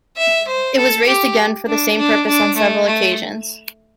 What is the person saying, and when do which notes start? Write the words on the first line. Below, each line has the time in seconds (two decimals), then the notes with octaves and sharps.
It was raised again for the same purpose on several occasions.
0.18 E5
0.47 C5
0.77 A4
1.07 G4
1.67 D4
1.97 D4
2.27 D4
2.56 A3
2.86 A3